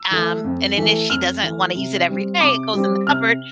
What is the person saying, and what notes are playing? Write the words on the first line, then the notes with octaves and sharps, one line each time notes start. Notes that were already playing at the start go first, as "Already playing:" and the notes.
Um, and then if she doesn't wanna use it every day, it goes in the cupboard
Already playing: E6
E3 A3
F2
E3 A3
F2 F6
E3 A3
C3
G3 C4
C3 D6
G3 C4
C3 F6